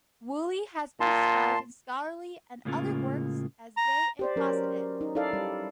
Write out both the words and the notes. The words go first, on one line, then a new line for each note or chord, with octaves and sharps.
Woolley has been described in scholarly and other works as gay and closeted.
A#2 A5 C6
A2 C#3 G#3 A#3 C#4 F4
A#5
G4 C5 D5
F#3 C#4 A#4
D#4
D#4 E4 A4 D5 F5
G3